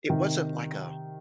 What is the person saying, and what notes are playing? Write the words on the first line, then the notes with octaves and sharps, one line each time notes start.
It wasn't like a
C3 D#3